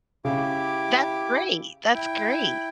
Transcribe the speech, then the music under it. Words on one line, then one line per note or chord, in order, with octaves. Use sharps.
That great, that's great.
C#3 E4 G4 D6
E4 G5